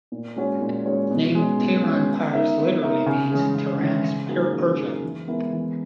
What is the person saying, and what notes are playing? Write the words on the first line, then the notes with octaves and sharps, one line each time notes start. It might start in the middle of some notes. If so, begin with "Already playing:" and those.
The name Tehran Pars literally means "Tehran's Persia".
A#2
G#3 C#4 F#4 C#5
A#2
G#3 C#4 F#4 C#5
B2
G#3 C#4
B2
G#3 C#4
B3
D#4 A#4 E5
B3
D#4 A#4 E5
C#3
E3 G#3 C#4 G#4
C#3
E3 G#3 C#4 G#4
C#3
F#3 A#3 D#4 G#4
C#3
F#3 A#3 D#4 G#4
E3
G#3 B3 E4 A#4
E3